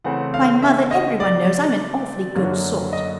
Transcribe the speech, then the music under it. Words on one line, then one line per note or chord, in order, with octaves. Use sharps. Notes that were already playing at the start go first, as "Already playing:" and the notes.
"Why, mother, everyone knows I'm an awfully good sort."
C#3 E3 A3 C4 F#5
F5
E5
D#5
D5
F#2 D3 F#3 A#3
D#5